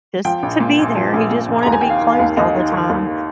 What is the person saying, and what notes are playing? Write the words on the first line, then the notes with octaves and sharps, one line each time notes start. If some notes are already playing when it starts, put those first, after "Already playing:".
just to be there, he just wanted to be close all the time,
F3 G5
A#1
A#2
A#1
F3
A#1
A#2
A#1
D#2 A#5
G#5
D#3 G5
F5
D#3
F5
D#2
D#2 D#5
D#3
D#3
D#2